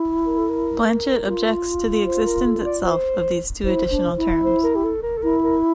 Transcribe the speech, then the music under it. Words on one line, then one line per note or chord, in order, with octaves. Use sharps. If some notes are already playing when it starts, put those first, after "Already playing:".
Blanchet objects to the existence itself of these two additional terms.
Already playing: E4
A#4
A4
A#4
F4
C5
A#4
A4
D5
C5
E4 C5
D4
E4
C5
A#4
G4
A4
A#4
A4
E4 A#4
A#4